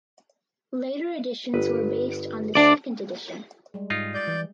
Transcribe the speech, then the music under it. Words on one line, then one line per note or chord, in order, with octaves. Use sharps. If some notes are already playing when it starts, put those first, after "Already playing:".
Later editions were based on this second edition.
G1 B4
D2 D4 D5
G3 G#3
G#2 D#4 F4
D5 G6
E3